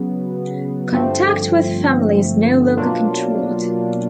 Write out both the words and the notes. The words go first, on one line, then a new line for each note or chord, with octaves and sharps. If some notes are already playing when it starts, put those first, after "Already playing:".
Contact with family is no longer controlled.
Already playing: C#3 F#3 B3
G2 D3 F3 A3 C4
B2 F#3 A#3 D4 F4